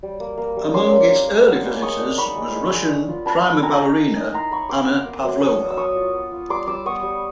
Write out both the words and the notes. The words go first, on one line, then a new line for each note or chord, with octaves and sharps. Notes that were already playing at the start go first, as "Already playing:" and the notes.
Among its early visitors was Russian prima ballerina Anna Pavlova.
G3
A#3
A#3
G3
C#4 C6 D6
A#3
A#3
A#3
B3
G#3
G#3 C#6 D#6
D4
D#4 B5 C#6
G#3
G#3
G#3
D4
F4
D4 A5 B5
F4
D#4 G#5 A#5
D#4
A#3
D#4
E4 A#5 C6
E4 B5 C#6
B3 C6 D6
B3
A#3
F#3
F#3 C#6 D#6
D4
E6
D4 C#6 D#6
F4
B3
F4
G3 C6 D6
G3 D6 E6
B3 C#6 D#6
G3